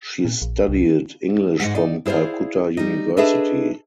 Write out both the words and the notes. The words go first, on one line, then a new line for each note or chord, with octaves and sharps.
She studied English from Calcutta University.
A#2
A#1
C2
G#2 D#3 G#3 F#5
D#4 D5
E4 G#4 C5 D5 F5
G3 D#4
D4 G#4 A4 B4 D#5 E5